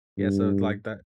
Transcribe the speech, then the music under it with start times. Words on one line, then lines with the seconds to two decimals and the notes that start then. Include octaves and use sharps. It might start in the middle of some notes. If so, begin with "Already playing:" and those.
Yes, I would like that.
0.18 G2